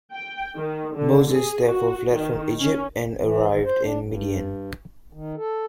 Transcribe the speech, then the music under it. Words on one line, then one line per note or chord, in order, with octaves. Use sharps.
Moses therefore fled from Egypt and arrived in Midian.
G5
D#3
D3
G#4
F#4
D#3
C#4
E3
D#3
C5
D4
G2
D#3
A4